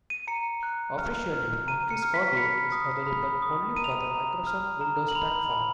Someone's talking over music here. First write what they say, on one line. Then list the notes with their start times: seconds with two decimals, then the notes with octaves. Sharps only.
Officially, Monkey's Audio is available only for the Microsoft Windows platform.
0.10 D#7
0.28 A#5 C#7
0.63 F#6
0.98 F6
1.33 F6
1.67 A#5 D#7
1.90 C#7
2.02 F6
2.14 B6
2.37 B5 C#7
2.72 D#6
3.07 B5
3.42 D#6
3.76 A#5 D#7
3.84 F7
3.92 D#7
4.11 A#5
4.47 F6
4.81 A#5
5.08 F#7
5.15 B5 F7
5.51 B5